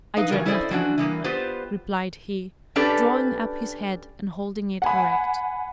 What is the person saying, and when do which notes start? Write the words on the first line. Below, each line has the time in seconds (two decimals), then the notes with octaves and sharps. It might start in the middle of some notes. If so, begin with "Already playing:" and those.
'I dread nothing,' replied he, drawing up his head, and holding it erect.
0.17 D#4 B4 F5
0.30 E3 G3 F#4 A#4
0.45 C#4 E4 A4 C5 D5 D#5
0.70 E3 F3 C#4 D4 F#4
0.98 E3 G3 G#3 A#3
1.24 B3 F4 G4 B4 C5
2.76 C#4 D4 G4 A4 B4 D5
4.82 F#5 G#5 B5